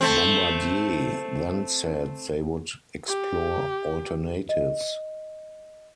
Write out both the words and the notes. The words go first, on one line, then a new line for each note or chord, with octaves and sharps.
Bombardier then said they would explore alternatives.
A3 C4
G4
D#5